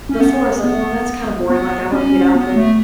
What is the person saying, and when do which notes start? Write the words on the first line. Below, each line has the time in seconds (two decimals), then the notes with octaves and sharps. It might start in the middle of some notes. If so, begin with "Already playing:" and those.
before I was like, "Oh, that's kinda boring, like, I wanna get out there
0.09 C#4
0.21 B3
0.64 B3
1.49 B3
1.92 C#4
2.35 B3
2.56 A3